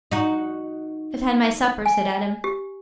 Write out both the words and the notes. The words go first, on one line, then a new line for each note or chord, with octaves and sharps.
"I've had my supper," said Adam.
D#4 F#4
G#5
G4